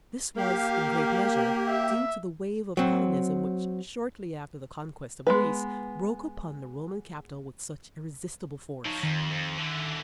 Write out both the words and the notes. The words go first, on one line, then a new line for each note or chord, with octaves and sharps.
This was, in great measure, due to the wave of Hellenism which, shortly after the conquest of Greece, broke upon the Roman capital with such irresistible force.
A#3 G4 F5
E5
F#3 C4
G#3 B3 B4
F3 F#3 D#4
F2 D#3
F2
D3 E3